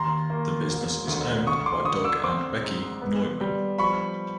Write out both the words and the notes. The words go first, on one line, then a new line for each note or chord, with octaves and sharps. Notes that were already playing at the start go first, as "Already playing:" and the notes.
The business is owned by Doug and Becky Neuman.
Already playing: D#2 A#5 C6
A#3
E1
D2
D2 C#6 D#6
C6 D6
D2 C#6 D#6
D6 E6
C4 C6 D6
G#2
B3
G3
F3 B5 C#6